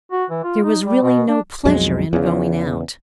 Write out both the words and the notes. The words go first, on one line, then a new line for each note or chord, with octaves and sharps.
There was really no pleasure in going out.
F#4
E3
F4
D#4
G3
B2
D4
B1 F2 F#3 G#3
E2 C#3